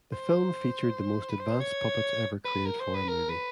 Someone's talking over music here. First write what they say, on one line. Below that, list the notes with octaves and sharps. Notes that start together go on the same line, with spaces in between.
The film featured the most advanced puppets ever created for a movie.
C5
B4
C5
C#5
B4
A#4
C5
B4
A#4
B4